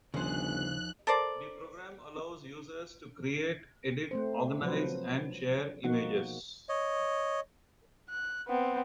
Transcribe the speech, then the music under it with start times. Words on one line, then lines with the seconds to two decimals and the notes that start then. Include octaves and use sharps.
The program allows users to create, edit, organize and share images.
0.14 G1 D#2 C#3 F3 C5 G#5 F#6
1.07 A4 A#4 C5 D5
4.11 A3 C4 C5
4.61 C3 F3 F#3 B4 C5
5.83 B2 F3 A#3 D#4 F#4 F#5
6.69 C#5 D#5
8.10 F#6
8.48 B3 C4